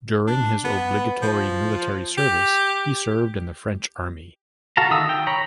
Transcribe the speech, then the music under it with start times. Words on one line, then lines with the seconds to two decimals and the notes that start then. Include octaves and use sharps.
During his obligatory military service he served in the French Army.
0.27 D4
0.65 B3
1.22 F3
2.18 G4
4.77 F#4 A4 F5 A5 A#5
4.91 D#3 E5 D#6 E6
5.09 G5
5.27 C#5 A#5 B5